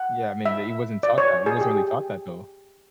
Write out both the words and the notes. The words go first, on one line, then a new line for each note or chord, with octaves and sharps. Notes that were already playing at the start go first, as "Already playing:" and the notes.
Yeah. I mean, the you wasn't taught that. You wasn't really taught that though.
Already playing: F#5
E5
D5
C#5
G#4
G4